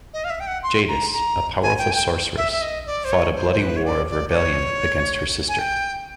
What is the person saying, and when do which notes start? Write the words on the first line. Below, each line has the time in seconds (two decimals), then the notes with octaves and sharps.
Jadis, a powerful sorceress, fought a bloody war of rebellion against her sister.
0.14 D#5
0.24 F5
0.30 E5
0.40 G5
0.47 F#5
0.63 C6
0.88 A#5
1.12 A#5
1.62 G#5
1.78 G5
1.91 G#5
1.95 G5
2.37 E5
2.52 E5
2.62 D#5
2.86 D5
3.05 C5
3.12 C#5
3.36 C5
3.52 C5
3.61 B4
3.76 C#5
3.85 D5
4.10 D5
4.30 D5
4.35 C#5
5.49 G#5
5.59 G5